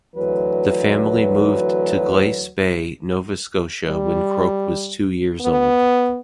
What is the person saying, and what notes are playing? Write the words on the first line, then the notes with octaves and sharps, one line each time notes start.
The family moved to Glace Bay, Nova Scotia when Croak was two years old.
D2 E3 F#3 B4
G3
B3